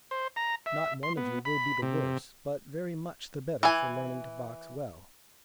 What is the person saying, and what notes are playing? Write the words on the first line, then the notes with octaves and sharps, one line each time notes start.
Not one of you will be the worse, but very much the better, for learning to box well.
C5
A#5
E5
C6
B3
B5
C3
E3 G#5